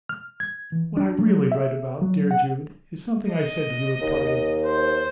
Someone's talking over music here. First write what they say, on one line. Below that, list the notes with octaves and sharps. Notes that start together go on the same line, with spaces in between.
What I really write about, dear Jude, is something I said to you at parting.
F6
G#6
E3
D4
F#3
E5
F#3
F#5
D#5
D#2
C5